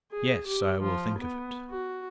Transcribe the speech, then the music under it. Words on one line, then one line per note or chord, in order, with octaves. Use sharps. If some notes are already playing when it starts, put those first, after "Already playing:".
"Yes; I will think of it."
G#4
G4
F3
B3
F#4